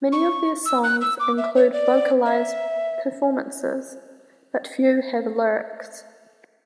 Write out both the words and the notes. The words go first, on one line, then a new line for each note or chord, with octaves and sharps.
Many of their songs include vocalize performances, but few have lyrics.
C#6
E6
F#6
E6
D6
E5
C#5
D5
E5